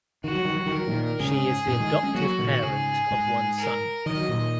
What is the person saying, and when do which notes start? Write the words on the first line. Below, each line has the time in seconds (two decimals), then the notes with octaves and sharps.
She is the adoptive parent of one son.
0.24 D#3 F#4
0.35 F#3
0.45 D#3
0.55 F#3
0.66 D#3
0.71 A#4
0.77 F#3
0.87 A#2 D#3
1.19 G#2 C#3 G#4
1.67 F#2 A#2
1.80 D#3 G#3
2.03 G#3 C#4
2.15 F#3 A#3 F#4
2.39 A#2 D#3
2.63 G#2 C#3 G#4
3.11 G#2
3.58 A#4
4.06 D#3 D#5
4.17 F#3
4.29 A#2 D#3